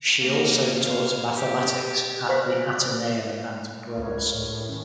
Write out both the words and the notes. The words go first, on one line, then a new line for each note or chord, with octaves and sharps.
She also taught mathematics at the Ateneum and Brummer schools.
A#3
F5
G4
G4 B4 C5 D5 E5 F5
C#2 A#4 B4 C#5
A3
A2
D#3 C#4